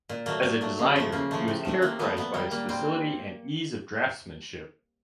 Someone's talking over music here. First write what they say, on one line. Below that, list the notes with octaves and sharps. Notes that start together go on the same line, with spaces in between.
As a designer he was characterised by his facility and ease of draughtsmanship.
A#2
F#3 A3 A#3
A#2
F#3 A3
C#3
F3 A3
C#3 A#3
F3 A3
C3
F3 A3
C3 A#3
F3 A3 B3
A#2 B3
G3 A#3
A#2 A#3
G3 C4